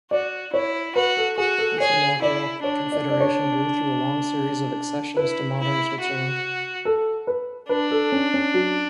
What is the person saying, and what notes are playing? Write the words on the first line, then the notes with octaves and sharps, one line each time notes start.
This inaugural confederation grew through a long series of accessions to modern Switzerland.
F#4 D5
E4 C#5
F#4 B4
A4
F#4 G#4
A4
G#4 C#5
E4 D5
D4 C#5
D5
D5
C#5
E4 B4
E4
F#4
A4
B4
D4 B4
A4
C#4
C#4
F#3